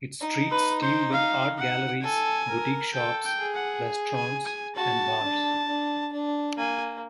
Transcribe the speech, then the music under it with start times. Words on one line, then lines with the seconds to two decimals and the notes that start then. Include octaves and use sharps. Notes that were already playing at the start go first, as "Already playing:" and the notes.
Its streets teem with art galleries, boutique shops, restaurants, and bars.
0.21 D#4
0.51 B4
0.82 C5
1.12 F5
1.58 F#5
2.03 A4 G#5
2.49 A#4
2.94 A4 G5
3.25 G5
3.39 G#4
3.55 F#5
4.15 G#5
4.46 G#5
4.76 F#4 A5
5.22 D4
5.67 D4
6.12 D4
6.58 A#3 G#5